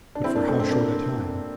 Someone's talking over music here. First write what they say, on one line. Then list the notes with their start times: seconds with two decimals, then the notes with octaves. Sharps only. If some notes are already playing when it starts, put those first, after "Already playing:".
But for how short a time!
0.15 D4
0.24 C4 E4
0.36 A#3 D4
0.48 A3 C4
0.59 A3 C4
0.71 A#3 D4